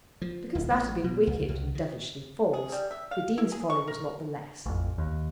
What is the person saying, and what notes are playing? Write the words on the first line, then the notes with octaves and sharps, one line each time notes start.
Because that had been wicked and devilishly false, the Dean's folly was not the less.
F3
D1
A1
B2
C#2
C2
D#3
G#4
G3
E5
F5
E4
G#4
C#6
A#4
A1 F2
D#2